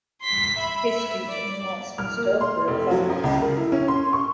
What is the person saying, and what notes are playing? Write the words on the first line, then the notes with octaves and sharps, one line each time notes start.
His teacher was a Mr. Brefhard.
C6 B6
E5 B5
E5
D5
F6
A#3
C6
F1
F#3
F#2
C#2
A#4
E4
C#4
C6
C#6